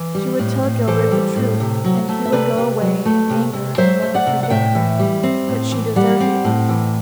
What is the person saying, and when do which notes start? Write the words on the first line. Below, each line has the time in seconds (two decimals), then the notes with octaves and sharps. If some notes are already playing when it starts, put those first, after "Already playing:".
She would tell Gilbert the truth, and he would go away in anger and never forgive her, but she deserved it.
Already playing: E3
0.15 G3
0.39 A2
0.63 A2
0.88 E3 A4 C5
1.11 G3
1.36 A2
1.60 C3
1.84 F#3
2.09 A3
2.26 E5
2.32 C3 B4 D5
2.57 C3
2.81 F#3
3.05 A3
3.30 C3
3.53 C3
3.78 F#3 C5 E5
4.02 A3
4.14 D5 F#5
4.27 C3
4.43 F#5
4.50 A2 E5 G5
4.75 E3
4.99 G3
5.23 C4
5.48 A2
5.72 E3
5.96 G3 D5 F#5
6.21 C4
6.44 A2
6.69 E3